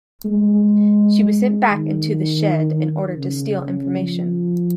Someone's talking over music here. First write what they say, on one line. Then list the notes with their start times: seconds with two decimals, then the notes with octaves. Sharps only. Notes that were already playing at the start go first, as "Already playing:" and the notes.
She was sent back into The Shed in order to steal information.
0.25 G#3
1.71 D#3
3.17 C#3
3.90 F3